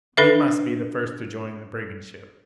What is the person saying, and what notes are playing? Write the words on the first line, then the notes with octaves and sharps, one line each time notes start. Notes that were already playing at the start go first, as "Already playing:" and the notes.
We must be the first to join the brigand ship.
D4 A4 B4 E5